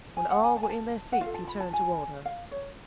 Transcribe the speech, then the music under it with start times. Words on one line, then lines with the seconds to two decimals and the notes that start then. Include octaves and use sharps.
When all were in their seats he turned toward us.
0.17 G#5
0.30 F#5
0.44 G#5
0.57 A5
0.63 G#5
0.69 A5
1.12 F#5
1.21 F4 F5
1.26 A4
1.34 A5
1.47 B5
1.60 A5
1.73 G#5
2.25 F5
2.51 C#5